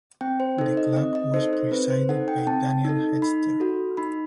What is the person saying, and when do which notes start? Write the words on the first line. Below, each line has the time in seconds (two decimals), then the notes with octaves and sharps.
The club was presided by Daniel Hechter.
0.21 C4 G5
0.40 C5
0.58 D#4 A4 C5
0.77 D#5
0.96 C4 D#5
1.15 D#5
1.34 D#4 A4 C5
1.53 C5
1.71 C4 B4
1.90 C5
2.09 D#4 A4 F#5
2.28 G5
2.38 G5
2.47 C4 A5
2.85 D#4 A4
3.22 D#4 B5
3.60 F#4 A4
3.97 D#4 B5